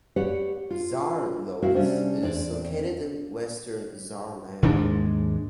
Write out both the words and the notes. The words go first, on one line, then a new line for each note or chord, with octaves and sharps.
Saarlouis is located in western Saarland.
G4 B4 C#5 D5 F#5
F4
C4 E4 F#4 A#4 F5
C3 G3 C#4 D4 C5
E2 C4 D4 D5
D#2 G#2 G#3 D4